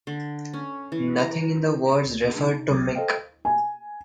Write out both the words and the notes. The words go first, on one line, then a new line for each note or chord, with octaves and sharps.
Nothing in the words referred to Mick.
D3
C#4
E3
A#5
D2
C3 D#4
C2 C3 F#3 C4 D6 D#6
A4 C5 D#5 F5 G5
G#5